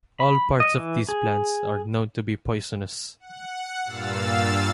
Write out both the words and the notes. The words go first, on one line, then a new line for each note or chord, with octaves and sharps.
All parts of these plants are known to be poisonous.
B5
D#5
E3
G#4
F#5
G2 A#2 F5 E6 A6